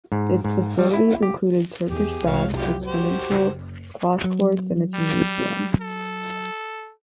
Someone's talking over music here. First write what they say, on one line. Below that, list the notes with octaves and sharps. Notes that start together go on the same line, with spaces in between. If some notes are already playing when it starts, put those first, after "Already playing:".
Its facilities included Turkish baths, a swimming pool, squash courts and a gymnasium.
G#2
G#2
G3
E4
G4
E2 E3 G4 G#4
F1 C2 G#3 F#4 C#5 F5
F#3 E4 F4 G4
F#4 G4 C5
F#1
F#3
G3
A4